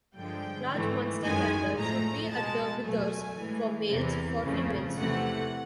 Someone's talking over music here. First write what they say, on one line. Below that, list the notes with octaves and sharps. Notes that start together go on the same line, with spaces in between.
Large Munsterlander should be at the withers for males, for females.
G2 D3 F3 G#3 G5
G#2 E3 A3
F#2 D#3 G#3 G#5
A2 F3 A3 A#5
B2 G#3 A5
B2 F#3 A3 G#5
A2 E3 G#3
E2 C3 E3
F2 C#3 F3 A3
E2 C3 E3 A3 F#5